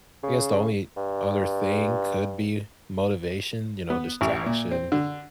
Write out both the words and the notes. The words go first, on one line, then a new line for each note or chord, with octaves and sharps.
I guess the only other thing could be motivation, you know, distraction
C#3
G2
B3
A1
A#2
C4
D3